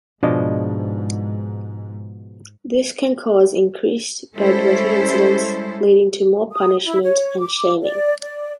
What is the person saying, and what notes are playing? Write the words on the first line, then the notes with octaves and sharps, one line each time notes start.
This can cause increased bedwetting incidents, leading to more punishment and shaming.
G#2 B2 F3 G#3 D4 D5 D#5
G3 G#3 C#4 E4 A4 C5
D#6
E4
C#5
D6
D5
D5